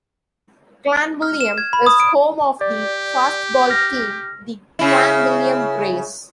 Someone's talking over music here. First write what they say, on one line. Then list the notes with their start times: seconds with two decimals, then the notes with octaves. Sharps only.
Clanwilliam is home of the Fastball team the Clanwilliam Greys.
1.22 F6
1.41 E7
1.58 G#6
1.73 B5
1.86 D#6
2.00 D7
2.61 G4 D5
3.70 F6 A#6
4.79 C#3 E4